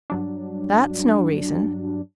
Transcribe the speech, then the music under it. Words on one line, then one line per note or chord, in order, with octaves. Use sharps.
That's no reason.
G2 F#3 D4